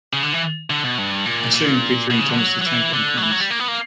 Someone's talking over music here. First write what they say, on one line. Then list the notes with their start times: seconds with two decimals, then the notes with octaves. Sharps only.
A scene featuring Thomas the Tank and friends.
0.13 C#3
0.23 D3
0.33 E3
0.70 D3
0.83 B2
0.98 G2
1.26 A#2
1.54 A#2
2.10 B2
2.19 C#3
2.29 D3
2.37 F#3
2.62 F#3
2.66 E3
2.93 D3
3.17 F#3
3.23 E3
3.31 F#3
3.40 G3
3.50 A#3
3.59 B3
3.68 A#3